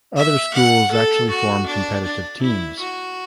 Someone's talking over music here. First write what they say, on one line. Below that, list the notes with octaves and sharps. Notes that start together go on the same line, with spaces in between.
Other schools actually form competitive teams.
E5
F#5
A4
F#4
D4
D4
E4
F#4